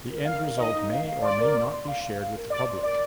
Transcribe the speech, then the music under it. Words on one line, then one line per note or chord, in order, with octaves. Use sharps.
The end result may or may not be shared with the public.
A#4
A#4 F5
A#4
D#4 D#5
D#4
F5
F5
D5 C6
A#4
C6
C6
F5
F5
F5
A#4
D5 C6
C6
A#4 D5